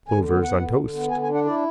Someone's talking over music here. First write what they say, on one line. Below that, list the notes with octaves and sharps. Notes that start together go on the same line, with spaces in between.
Plovers on toast.
D3 G#5
B3
B3 F#5
D3
D3
B3
D3 G#5
G#5
D4
F#5
E4 D5